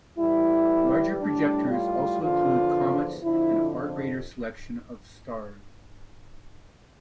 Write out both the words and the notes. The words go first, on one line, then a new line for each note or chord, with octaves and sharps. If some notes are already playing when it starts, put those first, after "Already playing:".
Larger projectors also include comets and a far greater selection of stars.
A2 E3 G3 E4
A2 G3 D4
F4
E2 D3 F3 F4
F2 D3 F3 E4